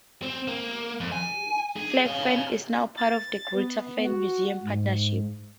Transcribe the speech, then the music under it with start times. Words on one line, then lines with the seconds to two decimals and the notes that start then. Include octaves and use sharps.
Flag Fen is now part of the Greater Fens Museum Partnership.
0.22 C4
0.47 A#3
1.00 F2
1.12 G#5
1.76 G#4
2.06 C#5 F5
2.97 A6
3.54 B3
4.05 F#4
4.63 G#2